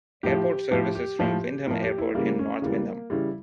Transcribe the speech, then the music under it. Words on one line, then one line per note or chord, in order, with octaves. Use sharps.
Airport service is from Windham Airport in North Windham.
A2 F3 G4
A2 F3 G4
G4
A2 F3
A2 F3 A#4
G4
E4
C#3 E3 G3 A#3
C#4
C#3 E3 G3 A#3
C#3 E3 G3 E4